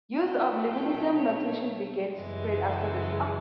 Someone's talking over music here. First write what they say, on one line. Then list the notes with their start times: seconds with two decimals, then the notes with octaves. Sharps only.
Use of Leibnizian notation began to spread after this.
0.19 B2 F#3 A3 G5
0.68 G5
1.17 C#5
2.15 F#2 C#3 E3 G#3
2.65 A4